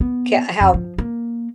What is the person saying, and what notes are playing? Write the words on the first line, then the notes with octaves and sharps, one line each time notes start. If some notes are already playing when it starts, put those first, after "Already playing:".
k how
B3
F2
F3
A#3